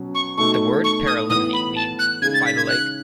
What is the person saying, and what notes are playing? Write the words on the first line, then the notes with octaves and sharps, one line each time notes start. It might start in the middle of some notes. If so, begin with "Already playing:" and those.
The word Paralimni means "by the lake".
Already playing: B2 F#3 C#4
C#6
B2 A3 D#4 A4 C#6
C#6
D#6
A2 E3 B3 D#6
B5
A5
F#6
C#3 G#3 D#4 G#4 G#6
A6
B6
G#6
F#6